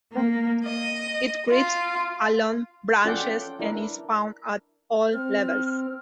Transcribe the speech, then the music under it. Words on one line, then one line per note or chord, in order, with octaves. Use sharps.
It creeps along branches and is found at all levels.
A#3
D#5
F4
C#4 F4 A4 D5 F#5 G5
D4 E4 A#4
C4 F6